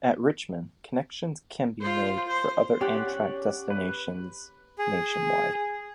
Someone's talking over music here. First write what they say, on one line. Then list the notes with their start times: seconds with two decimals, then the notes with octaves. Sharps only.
At Richmond, connections can be made for other Amtrak destinations nationwide.
1.80 F4 C5
2.27 C5
2.81 C#4 G4 D5 F#5
3.70 B4
4.79 G#4